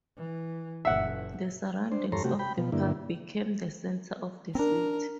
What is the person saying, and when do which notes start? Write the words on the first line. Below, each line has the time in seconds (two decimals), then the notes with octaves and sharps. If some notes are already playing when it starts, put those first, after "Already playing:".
The surroundings of the park became the center of the city.
0.17 E3
0.85 F#1 A#2 E5 F#5
1.92 D4 C5
2.12 E2 G2 A4 C#5 A#5 C6
2.24 C3 A3 F#4 G4
2.39 G5 B5
2.57 B2 F3
2.72 G2 D3 A#3 E4
4.55 C4 D4 A#4